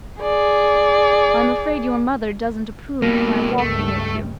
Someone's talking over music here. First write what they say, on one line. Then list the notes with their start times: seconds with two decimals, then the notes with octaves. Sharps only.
"I'm afraid your mother doesn't approve of my walking with you."
0.21 G#4 D5
3.02 B2 G3 A#3
3.58 C#2 G2 A3